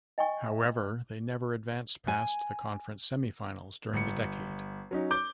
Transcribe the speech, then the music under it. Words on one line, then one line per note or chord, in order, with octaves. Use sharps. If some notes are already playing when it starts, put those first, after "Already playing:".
However, they never advanced past the conference semifinals during the decade.
D#5 G5 G#5 C#6
G#5
G1 C#7
F#3 C#4 D#4
D6 G6 G7